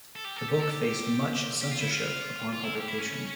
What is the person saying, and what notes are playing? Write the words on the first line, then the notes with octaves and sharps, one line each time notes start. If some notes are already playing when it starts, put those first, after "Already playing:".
The book faced much censorship upon publication.
A4
G4
A4
G4
A4
G4
G4
F4
E4
F4
F4
E4
G4
E4
C#4